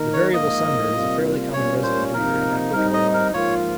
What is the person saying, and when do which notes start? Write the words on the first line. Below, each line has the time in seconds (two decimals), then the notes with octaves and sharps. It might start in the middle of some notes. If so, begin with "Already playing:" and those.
The variable sunbird is a fairly common resident breeder in equatorial Africa.
Already playing: D#3 A#3 D#4 A#4
0.13 C#5
0.33 G#2 F3 A#3 D#5
0.93 C3 G3 A#3 F4
1.53 A#2 G3 A#3 C#4 C#5
1.83 C5
2.14 C3 F3 A#3 D#4 A#4
2.73 G3 C4 D#4 A#4
2.93 D#5
3.14 A#4
3.33 G#2 F3 A#3 F4 C#5